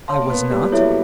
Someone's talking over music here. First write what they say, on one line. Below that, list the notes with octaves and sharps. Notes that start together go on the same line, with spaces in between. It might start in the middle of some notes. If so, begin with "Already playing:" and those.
I was not.
C#5 F5 A5 C6
A#3
B3
G3
F#3 E4 A4 C#5 E5